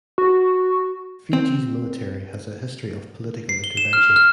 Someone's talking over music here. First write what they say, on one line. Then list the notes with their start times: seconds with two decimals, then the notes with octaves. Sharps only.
Fiji's Military has a history of political intervention.
0.18 F#4
1.33 C4
3.49 C7
3.64 G7
3.77 E7
3.93 F6
4.16 F6